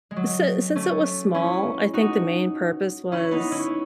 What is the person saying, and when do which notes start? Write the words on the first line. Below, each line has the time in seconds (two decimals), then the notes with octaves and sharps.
Si since it was small, I think the main purpose was
0.11 G#3
0.16 F#3
0.75 A3 C#4
1.34 C#4 E4
1.93 D#4 F#4
3.12 C#4 E4
3.31 B3 D#4
3.52 C#4 E4